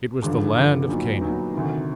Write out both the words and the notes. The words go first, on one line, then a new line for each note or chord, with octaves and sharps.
It was the land of Canaan.
G2 D3 F3
G2 D3 F3
A#2 F#3 B3 D#4
A#2 F#3 B3 D#4
D2 C3 D#3